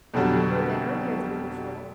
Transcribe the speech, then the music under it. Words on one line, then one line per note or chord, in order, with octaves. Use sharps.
"You're a bit earlier than usual."
F2 B2 D3 F#3 G3